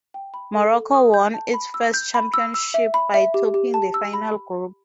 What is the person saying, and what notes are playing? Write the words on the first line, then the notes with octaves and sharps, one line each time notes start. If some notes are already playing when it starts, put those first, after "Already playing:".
Morocco won its first championship, by topping the final group.
G5
B5
A4
A4
D#6
G6
A5
B5
E6
G6
B5
E6
E6
E5
B5
E5
G4
G4
A5
E6
B5